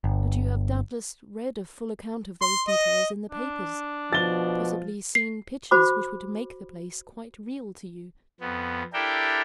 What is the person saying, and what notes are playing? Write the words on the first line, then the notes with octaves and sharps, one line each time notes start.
But you have doubtless read a full account of those details in the papers; possibly seen pictures which would make the place quite real to you.
G1
C6
D#5
D4
B2 F3 A6 G7
C7
F#4 C5 B5 D6
F2 B3
D4 E4 G4 A4 A#4 G5